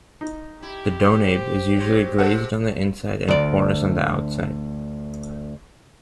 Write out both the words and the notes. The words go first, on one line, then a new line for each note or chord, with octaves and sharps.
The "donabe" is usually glazed on the inside and porous on the outside.
D#4
E4 G4
C5
F#3 C5
C3 G#3 A4 F#5
D2 D5